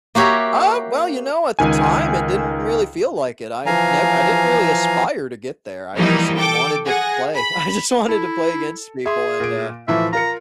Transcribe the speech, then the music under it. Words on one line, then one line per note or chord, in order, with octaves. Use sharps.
Uh, well, you know, at the time, it didn't really feel like it, I'd never I didn't really aspire to get there, I just wanted to play. I just wanted to play against people. And, uh
A#3 F#4 G4 C#5 E5 A#5
C#2 D#3 G#5
E3 F3 F5 G#5 A#5
E3 F3 G3 A#3 D#4 E4
A4 G5 D6
G#4 F#5 A#6
B5
E4 A4
G#4 E5 C6
A#2 D7
A2 E3 F3 E5
F4 A#4 A#5 C#7